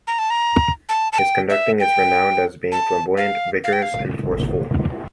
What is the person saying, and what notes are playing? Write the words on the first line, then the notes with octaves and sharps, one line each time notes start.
His conducting is renowned as being flamboyant, vigorous and forceful.
A#5
A5
A#5
A5
A5
G5
E5
G5
A5
F5
F5
G5
F5